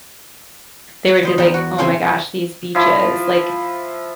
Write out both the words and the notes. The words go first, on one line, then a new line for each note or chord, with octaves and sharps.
they would be like, "Oh my gosh, these beaches, like,
E2 C5 D#5
E2 G5 A#5
F#4
A2 C#3 C4 C5 E5 G#5
F3 E4